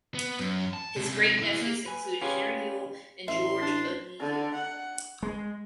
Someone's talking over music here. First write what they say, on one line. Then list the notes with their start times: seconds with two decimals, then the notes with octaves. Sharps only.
His great nephews included Henry Yule and George Udny Yule.
0.14 B3
0.40 F#2
0.73 A5
0.96 C3 G#3
1.42 E4 G#4
1.61 A#3
1.86 B4 G#5
2.21 C#4 F4 G4 G#4 B4
3.28 A1 E5 C6
3.62 D4
4.20 D3
4.54 F#5
5.23 G#3